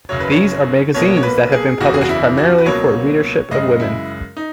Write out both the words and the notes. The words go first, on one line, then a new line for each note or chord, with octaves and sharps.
These are magazines that have been published primarily for a readership of women.
F#1 F#2 C#3 F#3 C#5
B4
C#5
B1 B2 A#3 C#5
C#5
B4
G#4
F#1 E2 C#3 F#4
G#4
F#4
E4
F#4
B4
C#2 B2 F#3 A#3 C#5
F#2 C#3 G#3 D#5
E4
D#4